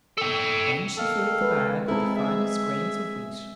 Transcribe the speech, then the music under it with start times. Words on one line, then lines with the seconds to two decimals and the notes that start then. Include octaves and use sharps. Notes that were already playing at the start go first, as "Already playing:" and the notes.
Then she filled the bag with the finest grains of wheat.
0.18 A4 G5
0.98 D#3 A4 F5
1.41 G#3 B4
1.88 G#3 C4 D#4 E4 G#4 A4
2.16 G#4 E5